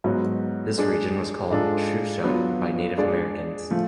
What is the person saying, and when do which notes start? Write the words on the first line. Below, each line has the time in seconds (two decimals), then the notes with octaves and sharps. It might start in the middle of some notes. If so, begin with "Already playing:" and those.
This region was called "Shushuck" by Native Americans.
0.04 G#2 F#3 B3 F#4
0.78 G#3 D4 G#4
1.51 G#2 G#3 D4 F4 A4
2.24 F#3 B3 D4 F4
2.97 G#3 D4 G#4 D5
3.71 F3 A3